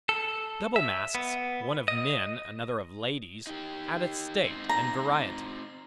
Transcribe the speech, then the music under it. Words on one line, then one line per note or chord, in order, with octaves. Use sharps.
Double masques, one of men, another of ladies, addeth state and variety.
A4
E5
B3
D#5
D#4 G4
C4 D#4
A#5